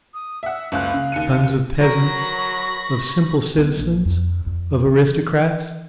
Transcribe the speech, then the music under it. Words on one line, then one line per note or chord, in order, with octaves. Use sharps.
Sons of peasants, of simple citizens, of aristocrats?
D#6
E5 F#5 E6
F#1 C#2 F5 F#6
C#3
D#2 C#7 D#7
F#3 A#4 B5 C#6 A#6
F#3 B3
A#1
F2
F2
E3